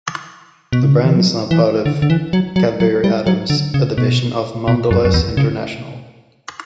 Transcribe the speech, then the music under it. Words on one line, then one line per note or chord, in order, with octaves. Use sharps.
The brand is now part of Cadbury Adams, a division of Mondelez International.
B2
C#3
D3
E3
F#3
E3
D3
D3
E3
F#3
F#3
F#3
G3
F#3
D3
C#3
B2
B2
F#2
F#2
E2
C#3